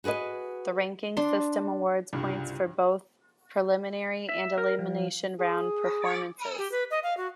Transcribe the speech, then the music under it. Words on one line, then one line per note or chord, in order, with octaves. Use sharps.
The ranking system awards points for both preliminary and elimination round performances.
F#4 G#4 A#4 B4 D#5
D4 C6
C2 G2 C#3 F4 G4
E5
A#4
F3
G#4
G4
B4
D#5
F5
F#4